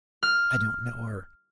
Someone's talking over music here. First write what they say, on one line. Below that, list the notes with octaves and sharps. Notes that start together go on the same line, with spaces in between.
I don't know her!'
F6